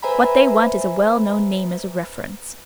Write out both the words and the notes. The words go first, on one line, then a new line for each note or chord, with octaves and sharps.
What they want is a well-known name as a reference.
B4 C5 E5 G#5 A#5 B5